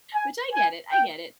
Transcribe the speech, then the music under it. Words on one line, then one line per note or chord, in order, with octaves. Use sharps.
Which I get it, I get it.
G#5
G#5
G5